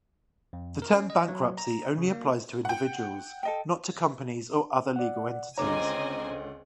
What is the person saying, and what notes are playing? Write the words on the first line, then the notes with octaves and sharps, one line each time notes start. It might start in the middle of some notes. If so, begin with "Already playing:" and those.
The term bankruptcy applies only to individuals, not to companies or other legal entities.
F2
A#4
C#4
D#5
F#3
A#5
C#3
A#3
F#5 G5
A4 D#5 G5
D5 F#5
C#2 D3 C4 C#5 D#5 G#5 A#5 D6